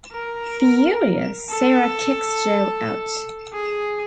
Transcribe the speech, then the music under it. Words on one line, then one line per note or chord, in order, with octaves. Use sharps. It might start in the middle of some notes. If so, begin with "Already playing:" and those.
Furious, Sara kicks Joe out.
A#4
A4
G#4